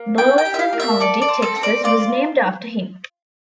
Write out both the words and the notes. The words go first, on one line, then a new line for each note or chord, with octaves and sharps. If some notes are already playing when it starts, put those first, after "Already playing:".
Burleson County, Texas, was named after him.
Already playing: A#3
E4 G5
G5
G4
E5
F5
A#3
E5
A4 D5
D5
C4
A4
C4
D5
F4 D5